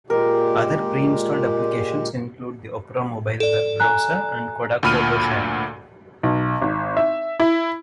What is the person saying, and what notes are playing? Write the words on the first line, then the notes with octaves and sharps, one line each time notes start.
Other pre-installed applications include the Opera Mobile web browser and Kodak Photo Sharing.
A#2 G#3 G4 A#4
A4 D5
G#5 A#5 F#6
D2 A#2 B5 F6 D#7
B1
G#1
E5
E4